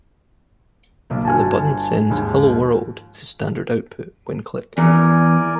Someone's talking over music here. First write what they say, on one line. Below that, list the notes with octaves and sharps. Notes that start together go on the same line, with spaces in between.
The button sends "Hello world" to standard output when clicked.
B1 A#3
G1 F#4 G#5 A5 F6
D#2 G#2 F3
E2 A#4 D5 G#5